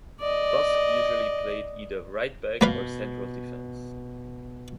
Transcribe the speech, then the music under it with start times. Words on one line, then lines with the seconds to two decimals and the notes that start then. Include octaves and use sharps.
Busk usually played either right-back or central defence.
0.20 D5 D#5
2.61 B2 A#3 B4 F5